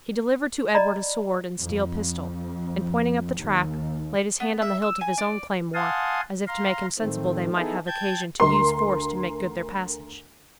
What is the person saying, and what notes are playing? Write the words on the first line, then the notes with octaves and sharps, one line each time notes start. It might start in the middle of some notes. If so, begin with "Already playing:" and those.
He delivered to Edward a sword and steel pistol, and, pointing up the track, laid his hand on the hilt of his own claymore, as if to make him sensible they might have occasion to use force to make good their passage.
D5 D#5 A#5 B5
F2
D#2
B3
E5
E6
G#5
D5
F5 F#5 G#5 A5 C6 D#6
F5 A#5 C6
A2 D#3 A3 C4
B3 D#4 E4 G#4 A4
G5 A5 G6 G#6
D2 A#4 C6